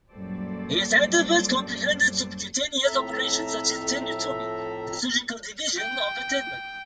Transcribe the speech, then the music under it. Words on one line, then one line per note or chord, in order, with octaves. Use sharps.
His endeavours comprehended subcutaneous operations such as tenotomy, the surgical division of a tendon.
F#2 A#2 G3 A4 C5 D5
F2 A2 A4 E5 A#5
G5